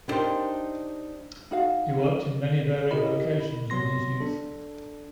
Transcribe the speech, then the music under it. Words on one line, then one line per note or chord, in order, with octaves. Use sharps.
He worked in many varied vocations in his youth.
B3 D4 D#4 G4 A#4 C5
D#4 F#4 F5
E4 G4 A#4 D#5 B5
C3 F#3 B3 C6 A#6
D4 A4